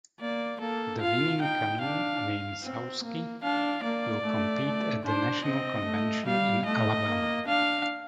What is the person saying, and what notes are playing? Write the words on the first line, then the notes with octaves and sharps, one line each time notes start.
The winning canoe, named Sauske, will compete at the national convention in Alabama.
A#3 D5
A#3 A4
F4 F5
D#4 G5
D4 F5
C4
A#3
D4 F5
A#3 D5
A3
A3
D4 C5
C4 D#5
A3
G3 F5
A3 D#5
A#3
D4 F5